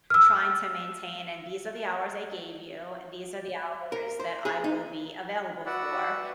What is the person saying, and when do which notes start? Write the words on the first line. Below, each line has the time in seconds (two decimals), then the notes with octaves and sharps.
trying to maintain, and these are the hours I gave you, "These are the hours that I will be available for,"
0.10 E6 F6
3.92 A#4
4.20 C5
4.45 G#4
4.64 D#4
5.66 F#4 B4 D5 E5 F#5